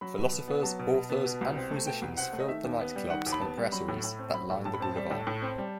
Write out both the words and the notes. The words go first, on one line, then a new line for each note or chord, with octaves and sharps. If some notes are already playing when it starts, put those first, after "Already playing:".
Philosophers, authors and musicians filled the night clubs and brasseries that line the boulevard.
F#3 B5
B2
B2
B3
F#3 A5
B2
B2
B3
B2
C2
C4
A3
B2 G5
C2
C4 F#5
A3
D#5
D#3 E5
D#2
B3
G3
D#3 F#5
D#2
B5
B3 A5
G3
F#3 B5
A2
A2
C4
F#3 B5
A2
A2 A5
B5
C4 A5
G3
A2
A2
C4
G3